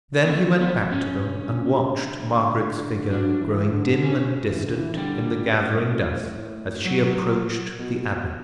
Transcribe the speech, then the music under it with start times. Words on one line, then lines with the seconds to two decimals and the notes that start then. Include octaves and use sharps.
Then he went back to them, and watched Margaret's figure growing dim and distant in the gathering dusk as she approached the Abbey.
0.25 B3
0.28 C#3 A3
0.60 B3
0.91 C#4
1.23 D3
3.10 F#3 D4
3.41 E3
3.72 D3
4.03 C#3 C#4
4.12 D3
4.21 C#3
4.50 E3
4.64 D3
4.76 E3
4.93 E3
4.97 D3 G3
5.44 C#3
5.91 A2
6.37 A2
6.85 F#3
7.79 B2